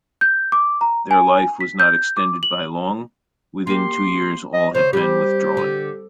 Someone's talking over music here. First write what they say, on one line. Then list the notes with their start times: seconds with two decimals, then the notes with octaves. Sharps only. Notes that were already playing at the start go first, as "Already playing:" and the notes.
Their life was not extended by long; within two years all had been withdrawn.
0.21 G6
0.52 D6
0.81 A#5
1.11 G#5
1.61 B6
1.79 G6
2.17 D6
2.43 F#7
3.67 A#3 G4 C6
4.54 D#5
4.75 C#3 C5
4.93 G3 C4 G4
5.57 D3